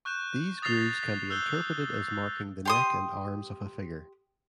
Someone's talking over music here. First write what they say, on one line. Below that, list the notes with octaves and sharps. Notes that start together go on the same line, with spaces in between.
These grooves can be interpreted as marking the neck and arms of a figure.
C#6 F#6 G6 E7
D#6 A6 A#6 C7 F7 G7
E6 F#6 G6 G7
G4 C6 D#6